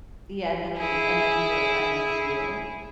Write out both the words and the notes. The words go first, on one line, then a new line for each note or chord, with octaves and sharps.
yeah, and then we and then he goes, "I miss you,
E4 G#4